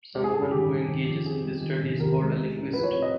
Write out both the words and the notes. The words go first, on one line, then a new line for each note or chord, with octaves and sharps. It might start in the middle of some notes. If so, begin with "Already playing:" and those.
Someone who engages in this study is called a linguist.
G#3 G4
G#4
G2 A4
G#4
D#3 G4
G2
D#3
F2
C3 G#4
G3
D#3
F1
D#2 A#4
G#3
G#3
A2
F3 B4
C#5
C4
D#5